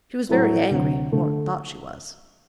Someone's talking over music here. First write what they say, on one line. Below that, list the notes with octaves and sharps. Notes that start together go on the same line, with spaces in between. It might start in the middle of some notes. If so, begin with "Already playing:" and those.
She was very angry, or thought she was.
A2 F#3 A3 E4
D2 C3 F#3
D3 A3